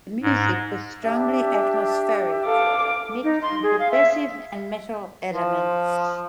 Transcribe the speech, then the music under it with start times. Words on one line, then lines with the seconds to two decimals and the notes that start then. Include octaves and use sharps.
The music was strongly atmospheric mixing progressive and metal elements.
0.22 G#2
1.05 D4 G4 E5
2.47 A4 F5 D6
3.24 D#4
3.42 C6
3.63 G#4
3.79 F5
3.91 E5
5.33 F3